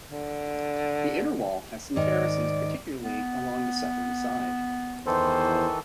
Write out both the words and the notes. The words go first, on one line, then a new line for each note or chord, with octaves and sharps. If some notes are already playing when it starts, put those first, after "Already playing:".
The inner wall has some terraces, particularly along the southern side.
D3
G#2 D#3 D5
B3
E2 D#3 E3 A4 C5